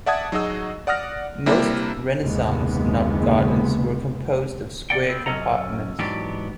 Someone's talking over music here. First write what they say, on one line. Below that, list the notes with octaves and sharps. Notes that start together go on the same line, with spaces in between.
Most Renaissance knot gardens were composed of square compartments.
D5 E5 F#5 A5 D#6 G#6
F#3 D#4 F#4 G#4 D#5 E6
D5 F#5 D#6 F6 A#6
C3 G3 A#3 D4 E4 A#4
F#1 D#2 C3 G#3 B3
B2 D5 F#5 G5
B3 C4
F#2 C#4 A4 D#5 F#5 A#5
G#2 E3 F#3 B3 D4 G4